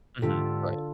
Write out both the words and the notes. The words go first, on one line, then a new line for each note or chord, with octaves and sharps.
Mhm. Right.
G#2 D3 F4 G4 A4